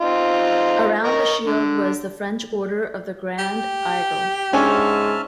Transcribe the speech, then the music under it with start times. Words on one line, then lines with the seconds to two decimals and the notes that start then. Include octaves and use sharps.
Around the shield was the French Order of the Grand Aigle.
0.01 C4 D#4 F4
1.04 A#4 D#5 C#6
1.46 D3
3.38 G4
4.53 G#2 C#4 D4 E5 G#5 A5 F6